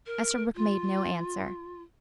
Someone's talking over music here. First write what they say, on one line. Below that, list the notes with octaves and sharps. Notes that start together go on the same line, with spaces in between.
Esterbrook made no answer.
A#4
F4